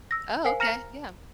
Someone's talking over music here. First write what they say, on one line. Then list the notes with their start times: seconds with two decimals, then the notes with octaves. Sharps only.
Oh, okay, yeah.
0.11 E6 A#6
0.45 A#4 C5 F5 G#5 C7
0.60 A#5 F6 A#6 C#7 F7 F#7